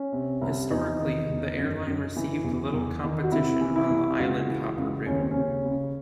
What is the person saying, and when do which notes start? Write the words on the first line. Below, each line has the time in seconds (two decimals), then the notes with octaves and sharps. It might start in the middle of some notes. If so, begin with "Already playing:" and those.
Historically the airline received little competition on the "island-hopper" route.
Already playing: C#4
0.13 C3
0.41 C2
0.70 E2 D#4
0.99 D#3
1.29 E2
1.58 F#2
1.87 F#2
2.16 E3
2.44 E2
2.74 E2
3.03 D#3
3.23 F#4
3.32 C3 E4
3.61 E3
3.76 E4
3.90 C2
4.19 C#2 F#4
4.48 E3
4.77 C#2
5.06 D#2 C#4
5.19 C4
5.31 C#3 C#4
5.65 C#3